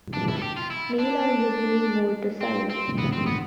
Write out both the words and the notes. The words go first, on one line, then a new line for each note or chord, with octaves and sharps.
Male are usually more docile.
D4
E4
A4
G4
F4
E4
D4
C4
C4
B3
C4
B3